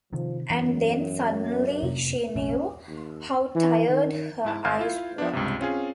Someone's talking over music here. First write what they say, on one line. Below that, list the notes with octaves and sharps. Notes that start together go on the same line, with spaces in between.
And then suddenly she knew how tired her eyes were.
C3 D#3 F3
F#2 E3 B3
F2 C3 A#3
F1 A#1 F2 C#4
D#2
E3
D#3
G#2 E4 A5
G#1 F5 F6 G6 G#6
E4 F4
F3 B3 D4
C#2 G2 C3
C4 C#4 F4 G#4